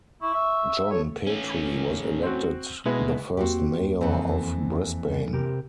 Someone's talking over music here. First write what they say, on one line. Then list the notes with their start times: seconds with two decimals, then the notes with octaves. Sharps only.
John Petrie was elected the first mayor of Brisbane.
0.22 E4 C#6
0.34 E5
0.91 A4 C#5
1.27 A3 C#4
2.23 C4 F#4
2.86 B2 G#3 B3 E4
3.37 E2 A#3 C4 F#4 G4
4.01 F2 E3 C4 A4
5.33 C3 G4 A#4